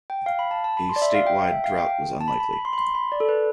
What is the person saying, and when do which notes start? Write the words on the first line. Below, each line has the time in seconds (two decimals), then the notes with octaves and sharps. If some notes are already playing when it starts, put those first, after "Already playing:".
A state-wide drought was unlikely.
0.10 G5
0.26 F5
0.39 B5
0.51 A5
0.64 A5
0.77 B5
0.89 C6
0.96 D5
1.02 E5
1.14 F5
1.27 G5
1.40 G5
1.52 E5
1.64 F5
1.78 G5
2.21 A5
2.28 B5
2.40 B5
2.53 B5
2.65 C6
2.73 B5
2.78 C6
2.95 B5
3.12 D5
3.20 A4
3.29 B4